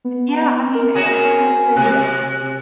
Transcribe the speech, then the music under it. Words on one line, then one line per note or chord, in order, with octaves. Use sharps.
Yeah. I mean, her husband
B3
A#4
C#4 F#4 G#4
C3 F#6